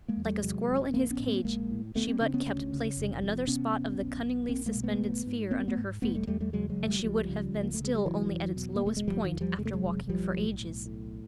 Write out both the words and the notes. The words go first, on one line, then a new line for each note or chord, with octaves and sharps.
Like a squirrel in his cage she but kept placing another spot of the cunningly suspended sphere under her feet, and she would have been still only at its lowest point after walking for ages.
G#3 A#3
E2
G3 A3
C3 F#3 G#3
F1
A#1 A#3 C4
B3 C#4
A2
A#3 C4
A#1 G#3 A#3
A2
D2 A3 B3
A#3 C4
C#3 C4 D4
B3 C#4
D2
C#3
F1
F2
C3 B3 C#4
F1
B1
B2
B1 A#3 C4
G#3 A#3
B2
A3 B3
G#1
G#2
G#1 A#3 C4
A3 B3
G#2
F1 A3 B3
G3 A3
E2 G3 A3
G3 A3
C#3 F#3 G#3
F#3 G#3
F1
G3 A3
F#3
C#2 F3 G3
C#3
C#2
A#3
A3
C#3 G#3
G3
E1 E3 F#3
E2
B2
A#3
E1
A3
G#3
F#1 F3 G3
D#3 F3
E2
F3 G3
C3 G#3
A3
F#3 G#3
F#1
B1 F3 G3
A2
B1
A2